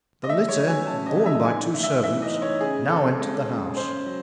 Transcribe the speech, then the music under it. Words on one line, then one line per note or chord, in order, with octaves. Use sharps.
The litter, borne by two servants, now entered the house.
D#5
A3 E5
C#5
F#3
G#5
C#3 A5
D#5
E2
E5
G#2 G#5
A3
E5
E3 E5
D#5
G#2
C#5
C#3 G#4
C4 A4
G#3
C#3
C#4 C5
F#3